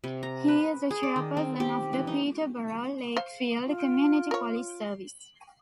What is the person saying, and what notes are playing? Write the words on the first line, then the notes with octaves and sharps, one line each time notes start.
He is the chairperson of the Peterborough Lakefield Community Police Service.
C3
A#5
B4
G#4
D5
D#3
C4
G4
E3
D#4
C5 F5
F4
A#4 C#5